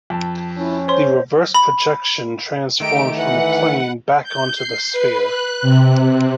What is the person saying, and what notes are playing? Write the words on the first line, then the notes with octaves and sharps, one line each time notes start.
The reverse projection transforms from the plane back onto the sphere.
F2 A5
C#4 E4
C5 C#5 C6
B5
D#3 A3 D#4 G4 D7
E3 B4 F#5
G6
C7
B4
F#6
C3